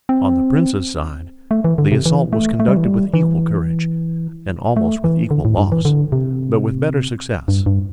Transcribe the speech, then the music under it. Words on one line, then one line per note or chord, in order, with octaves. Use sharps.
On the prince's side, the assault was conducted with equal courage, and almost with equal loss, but with better success.
C4
A3
E3
D3
C3
E3
A3
A3
G3
E3
G3
E3
A3
E3
D3
A2
G2
E3
D3
C3
G2
G2